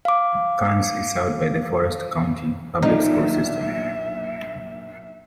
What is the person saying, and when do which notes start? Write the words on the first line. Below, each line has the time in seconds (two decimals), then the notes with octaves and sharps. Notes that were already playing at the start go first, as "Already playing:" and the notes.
Carnes is served by the Forrest County Public School System.
0.05 F5 D6
2.82 B1 A#2 D4 D#4 E5